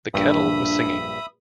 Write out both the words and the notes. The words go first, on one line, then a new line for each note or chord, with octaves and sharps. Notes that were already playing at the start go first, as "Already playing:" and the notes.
The kettle was singing.
A#1 G2 D4 E5 B5 D#6